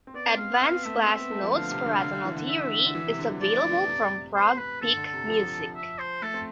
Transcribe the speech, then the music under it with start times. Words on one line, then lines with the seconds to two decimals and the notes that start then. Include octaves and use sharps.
"Advanced Class Notes for Atonal Theory", is available from Frog Peak Music.
0.07 C4
0.14 B3 D5
0.26 C4
0.37 B3 F5
0.50 B3
0.61 C4 F5
0.73 B3
0.84 A3 E5
0.96 B3
1.08 C4
1.19 B3
1.31 A3
1.43 F3
1.55 D3 F5
1.71 C3
1.86 D3
1.96 C3
2.01 D3
2.13 D3
2.25 E3
2.37 D3
2.49 E5
2.86 D3
2.95 E3
3.07 C3
3.19 D3
3.30 E3
3.41 F3 D5
3.53 A3
3.65 B3
3.72 E3
3.77 F3
3.88 C3
4.36 C5
4.58 B4
4.82 D3 A4
4.97 D3
5.05 A4
5.13 C3
5.28 F3
5.76 E5
5.99 C5
6.22 A3 A4
6.34 C4